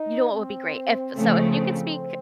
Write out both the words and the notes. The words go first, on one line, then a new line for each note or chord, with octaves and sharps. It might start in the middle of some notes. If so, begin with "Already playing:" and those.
you know what would be great? If so if you could speak
Already playing: D#4
C4
C#3 F3 A3